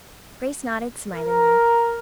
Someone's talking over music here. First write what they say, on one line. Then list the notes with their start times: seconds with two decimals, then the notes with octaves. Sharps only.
Grace nodded smilingly.
1.15 A#4